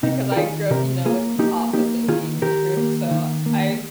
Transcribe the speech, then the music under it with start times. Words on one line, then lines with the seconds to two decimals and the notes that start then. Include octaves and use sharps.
because I grew up, you know, with the opposite being the truth. So I've
0.03 C3 D#4
0.32 A#4
0.36 D#3 F4 G#4
0.70 C3 G4 A#4
1.05 A#3 F4 G#4
1.39 A#3 D#4 G4
1.73 A#3 D#4 G4
2.08 D#3 F4 G#4
2.42 D#3 G4 A#4
2.77 A#3
3.11 D#3
3.46 A#3